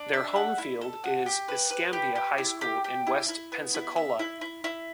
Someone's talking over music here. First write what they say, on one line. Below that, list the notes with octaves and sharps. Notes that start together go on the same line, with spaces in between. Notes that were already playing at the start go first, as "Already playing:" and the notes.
Their home field is Escambia High School in West Pensacola.
Already playing: D4
E5
F#5
E4
A4
F#5
G4
B4
B4
G4
G4
E4
G4
G4
E4
E4
B3
E4
E5
E4
E4
E4